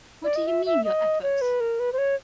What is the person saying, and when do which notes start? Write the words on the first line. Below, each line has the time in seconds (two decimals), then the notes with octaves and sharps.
What do you mean, your efforts?
0.24 D5
0.36 D#5
0.47 E5
0.66 E5
0.85 D#5
1.23 C#5
1.41 B4
1.60 A#4
1.80 B4
1.93 C5
1.98 C#5